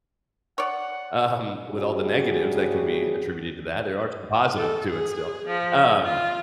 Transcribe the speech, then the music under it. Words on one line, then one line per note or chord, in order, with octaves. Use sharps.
Um. With all the negatives that can be attributed to that, there are some positives to it still, um
C#5 D5 F#5
A2 C#3 G3 F#4 G#4
A4
G#4
F3
F4